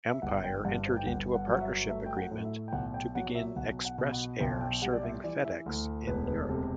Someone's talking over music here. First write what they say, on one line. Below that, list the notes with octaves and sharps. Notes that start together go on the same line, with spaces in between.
Empire entered into a partnership agreement to begin Express Air serving FedEx in Europe.
E5
G1 F#5
G5
G2 F#5
C5
G5
G1 F#5
F#5
F#3
F#5
E5
A3 E5
G5
F#5
A2
E5
G5
B1 F#5
G5
F#3 F#5
E5
B1 F#5
F#5
B2
F#5
B1 G5
G5
G3 F#5
D5
E5
E3 D5
E5
D2
E1 B4
B4
C3 A4